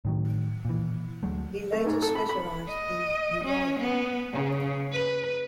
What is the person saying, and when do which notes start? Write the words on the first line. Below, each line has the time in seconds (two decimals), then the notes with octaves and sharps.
He later specialised in urology.
0.05 A2 D#3 F#3
0.65 A#2 E3
1.23 D2 F#3 G#3 A3
1.72 A3
1.85 G#2
2.02 A4
2.15 B5
2.29 B5
2.69 D#5
3.45 C#4
3.80 B3
4.34 C#3
4.93 B4